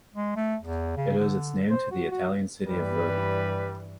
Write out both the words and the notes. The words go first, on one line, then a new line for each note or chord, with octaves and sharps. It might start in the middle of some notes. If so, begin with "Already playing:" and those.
It owes its name to the Italian city of Lodi.
G#3
A3
E2
C#3
D3
C5
F#4
F#4
G2 E3 G3 B4